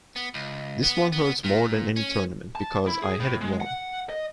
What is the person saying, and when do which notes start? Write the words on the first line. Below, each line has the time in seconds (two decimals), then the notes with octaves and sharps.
This one hurts more than any tournament because I had it won.
0.16 B3
0.34 C#2
0.83 B3
1.12 B3
1.44 A#2
1.96 C#4
2.55 A5
2.87 E4
3.03 G#4
3.20 A2
3.41 G#3
3.60 F#5
4.09 D#5